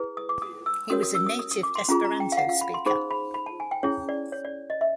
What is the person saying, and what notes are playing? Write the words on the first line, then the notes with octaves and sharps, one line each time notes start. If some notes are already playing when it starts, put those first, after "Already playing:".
He was a native Esperanto speaker.
Already playing: E4 G#4 B4
D#6
D6
D#6
E6
C#4 F#4 A#4 C#5 D#6
D#6
E6
D#6
D#6
D#6
D6
C6
C#4 F4 G#4 A#5
A#5
G5
F5
F#5
F5
B5
C6
D#4 G#4 C5 B5
B5
B5
A5
G#5
G5
C#4 E4 G#4 C#5
D5
C#5
D5
D#5
E5